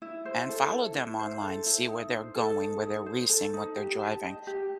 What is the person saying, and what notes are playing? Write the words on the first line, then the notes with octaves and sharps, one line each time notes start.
and follow them online, see where they're going, where they're racing, what they're driving,
E4
C5
A4
E4
E4
C5
A4
E4
D#4
C5
A4
D#4
D#4
C5
A4
D#4
G4
A5
D#5
G4